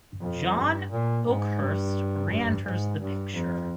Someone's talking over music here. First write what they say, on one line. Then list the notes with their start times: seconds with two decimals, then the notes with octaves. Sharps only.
John Oakhurst reenters the picture.
0.21 F2
0.56 G2
0.91 A#2
1.26 G#2
1.61 G2
2.30 G2
2.65 G#2
3.01 G2
3.34 F2